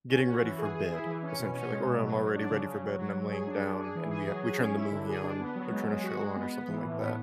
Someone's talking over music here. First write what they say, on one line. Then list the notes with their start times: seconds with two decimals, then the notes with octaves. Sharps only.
getting ready for bed, essentially, like, or I'm already ready for bed and I'm laying down and we, uh we turn the movie on, or turn a show on or something like that.
0.10 C#4
0.26 F#4
0.42 E3
0.59 G#4
0.75 G#4
0.90 E4
1.06 E3
1.23 C#4
1.39 B2
1.54 C#4
1.71 G#3
1.86 B2
2.03 F#3
2.19 F#3
2.35 D4
2.50 C#3
2.67 C#3
2.83 F#3
2.99 F#3
3.15 F#3
3.31 G#4
3.47 D4
3.63 D4
3.79 G#4
3.95 E3
4.11 G#4
4.27 F#3
4.43 G#4
4.59 C#4
4.75 E4
4.91 D3
5.08 G#4
5.24 D4
5.40 B3
5.55 F#3
5.71 G#3
5.88 G#3
6.04 F#4
6.20 G#3
6.36 B3
6.52 B3
6.68 E3
6.84 A2
7.00 B3